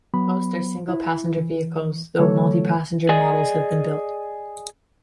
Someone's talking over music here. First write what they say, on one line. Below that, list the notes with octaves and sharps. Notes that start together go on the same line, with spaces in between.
Most are single-passenger vehicles, though multi-passenger models have been built.
F#3 B3 B5
E4
E3
D3 E3 F#3 A3 A4 C#5
G#4 D5 D#5 G#5